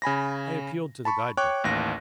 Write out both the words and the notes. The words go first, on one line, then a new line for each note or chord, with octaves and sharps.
I appealed to the guide-book.
C#3 G#5 B5 A#6
A5 B5 C#6
C#5 G5 C#6 D6 F#6
A1 D#2 A#6